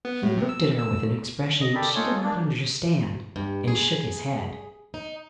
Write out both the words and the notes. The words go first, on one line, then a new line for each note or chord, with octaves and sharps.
He looked at her with an expression she did not understand, and shook his head.
B3
A2
C3
E6
E6
D#5
G4 A4 A#4 D5 B5
D#4 F4 G#4 A4 C#5
A#3 D4
G2
G#4
D#4